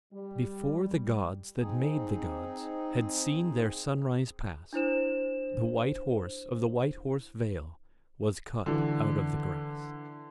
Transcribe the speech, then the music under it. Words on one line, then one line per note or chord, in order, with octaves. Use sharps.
Before the gods that made the gods Had seen their sunrise pass, The White Horse of the White Horse Vale Was cut out of the grass.
G3
C4 D#4 G#4
D4 E4 C5 E7
D3 E3